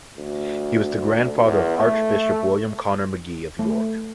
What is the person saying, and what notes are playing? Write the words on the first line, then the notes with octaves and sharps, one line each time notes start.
He was the grandfather of Archbishop William Connor Magee of York.
D2
E2
A3
A3